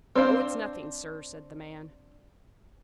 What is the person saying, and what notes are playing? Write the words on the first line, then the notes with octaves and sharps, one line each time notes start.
"Oh, it's nothing, sir," said the man.
C4 D4 C5 F5 G5